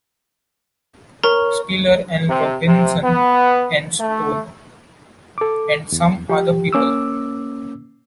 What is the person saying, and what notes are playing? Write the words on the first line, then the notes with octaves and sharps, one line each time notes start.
Spiller and Robinson and Stone, and some other people.
A#4 C#5 A#5
C3
C3
B3
A3
A4 D6
E2
F3 G4
A#3 C#4 D6 E6